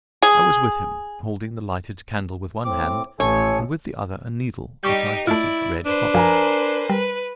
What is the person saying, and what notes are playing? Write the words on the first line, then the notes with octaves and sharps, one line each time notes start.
I was with him, holding the lighted candle with one hand and with the other a needle which I heated red-hot.
G#4
A2 C4 D6
A1 A4 C#5 G#5
G3 D#4 G4 C#6 D6 G6
A3 E4 F4 D5
D4 B4 C5
F#2 F3 A#4 G#5 A#5
G3 B4